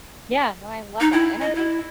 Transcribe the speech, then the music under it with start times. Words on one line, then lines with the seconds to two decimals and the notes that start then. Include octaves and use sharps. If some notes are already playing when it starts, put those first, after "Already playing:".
Yeah, no, I love that. And I think
1.00 D#4
1.13 E4
1.40 D#5
1.55 E4